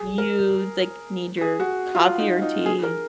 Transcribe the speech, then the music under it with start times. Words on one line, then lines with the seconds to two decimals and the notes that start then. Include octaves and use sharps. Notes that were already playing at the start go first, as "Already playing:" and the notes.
You, like, need your coffee or tea?
Already playing: G#4
0.18 A#4
1.41 G#4
1.60 F#4
1.95 F4
2.19 D#4
2.42 D#4
2.66 G#4
2.83 A#4